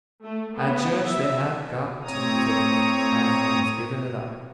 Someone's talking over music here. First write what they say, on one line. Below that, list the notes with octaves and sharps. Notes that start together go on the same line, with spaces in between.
I judged they had got to the foot, and was giving it up.
A3
B3
E5
A2 C4 C#5 A#5 D#6